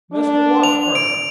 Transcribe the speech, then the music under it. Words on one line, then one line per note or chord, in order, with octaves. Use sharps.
"Mr. Washburn!"
D4
F7
D7